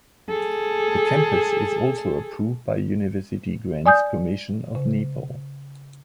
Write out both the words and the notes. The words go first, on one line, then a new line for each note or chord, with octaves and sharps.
The campus is also approved by University Grants Commission of Nepal.
G#4 A4
D5 G#5 D#6 G6
C#3